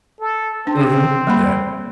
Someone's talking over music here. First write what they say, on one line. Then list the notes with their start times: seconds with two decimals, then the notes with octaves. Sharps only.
Mhm. Yeah.
0.20 A4
0.67 C4 D4
1.27 G3 A#3 B5